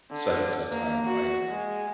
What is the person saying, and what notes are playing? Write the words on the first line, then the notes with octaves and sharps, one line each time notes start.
such and such item," like,
D3
A#3
F#4
G#3